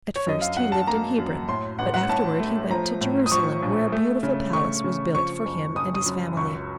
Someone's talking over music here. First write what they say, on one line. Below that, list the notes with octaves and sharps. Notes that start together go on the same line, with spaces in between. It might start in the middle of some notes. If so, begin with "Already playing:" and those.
At first, he lived in Hebron, but afterward he went to Jerusalem, where a beautiful palace was built for him and his family.
C#5
F#2 D#5
F5
F#2 F#5
A5
A#3 A#5
F#2
A2 C6
A1 F#5
F#5
A2 A5
A3
F3 A#5
A2
D#6
F3 C#6
A#1
A3
C#3
A3 C#6
C#3
F3 C#6
F#1
F#1 D#6
D#6
F#2
C#2 C#6